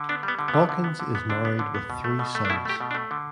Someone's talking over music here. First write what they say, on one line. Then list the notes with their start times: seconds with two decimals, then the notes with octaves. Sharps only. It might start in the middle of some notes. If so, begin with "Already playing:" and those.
Hawkins is married with three sons.
Already playing: D3
0.09 B3 D4
0.23 G3
0.28 B3
0.39 D3
0.48 B3
0.54 D3
0.69 D3
0.84 B3
1.00 D3
1.15 B3
1.30 D3 D4
1.45 B3
1.59 D3
1.75 B3
1.90 B2
2.04 A3
2.19 B2
2.35 A3
2.45 D4
2.50 B2 E4
2.65 A3 G4
2.80 B2
2.91 D4
2.95 A3
3.11 D3